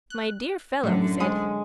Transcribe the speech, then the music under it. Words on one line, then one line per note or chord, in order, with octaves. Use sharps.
"My dear fellow!" he said.
F#6
F#2 A2 D3 F#3
G#3 D#6